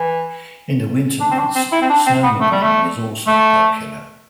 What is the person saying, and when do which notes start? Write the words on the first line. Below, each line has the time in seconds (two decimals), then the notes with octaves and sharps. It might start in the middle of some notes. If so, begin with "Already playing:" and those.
In the winter months, snowmobiling is also popular.
Already playing: E3
1.20 D4
1.31 C4
1.38 D4
1.55 C4
1.72 E4
1.82 C4
1.90 D4
2.06 C4
2.23 B3
2.40 A3
2.52 G3
2.63 A3
3.27 A3